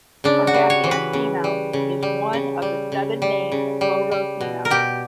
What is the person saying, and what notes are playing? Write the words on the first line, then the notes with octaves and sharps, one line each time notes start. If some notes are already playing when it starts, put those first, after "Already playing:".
Carpathia Seamount is one of the seven named Fogo Seamounts.
C#3 D4
F#4
G3
C#5
E3
B4
C#3
G3
C#3
G3
C#3
G3
C#3
G3
C#3
G3
G3
B2
A#4
B2 G4